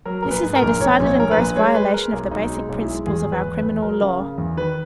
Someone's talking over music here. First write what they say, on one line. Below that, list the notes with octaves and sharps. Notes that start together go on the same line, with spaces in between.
This is a decided and gross violation of the basic principles of our criminal law.
F#3 A#4
A#1 A#4
B4
G#2
A#4
A#1
A#1 C#5
A#1
C#5
A#1 A#4
B4
A#1
G#3 C#5
G#3 B4
G#3 A#4
B1 G#4
B1 D#4
G#3
D#4
B1
E4
G#3
E2 G#4
E2
B4
E2
B4
E2
F#3 A#4
C#3
C#3
E2
D#3 B4